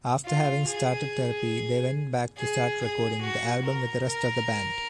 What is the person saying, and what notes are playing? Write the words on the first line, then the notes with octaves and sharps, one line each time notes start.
After having started therapy they went back to start recording the album with the rest of the band.
F4
G#4
G#4
G#4
F#4
A#4
A#4